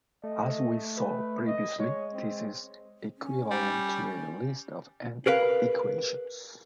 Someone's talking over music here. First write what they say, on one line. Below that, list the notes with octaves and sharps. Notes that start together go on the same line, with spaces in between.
As we saw previously, this is equivalent to a list of "n" equations.
A3 D#5
B4
D#5
G#3 C#5
C4
C#4
G3
G#4 A#4 B4 F5